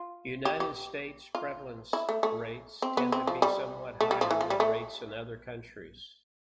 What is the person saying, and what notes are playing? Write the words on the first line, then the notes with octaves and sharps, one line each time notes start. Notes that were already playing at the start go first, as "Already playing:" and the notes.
United States prevalence rates tend to be somewhat higher than rates in other countries.
Already playing: F4
G4
G4
F4
E4
A3
A3
C4
B3
C4
F3
G3
A3
G3
F3
E3
F3
G3
A3